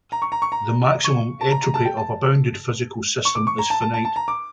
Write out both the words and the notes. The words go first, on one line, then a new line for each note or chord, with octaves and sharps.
The maximum entropy of a bounded physical system is finite.
A#5
C#6
A#5
C#6
A#5
C#6
A5
A#5
A#5
A5
G5
A5
C#6
D6
C#6
A#5
A5
A5
A5
A5
A#5
D6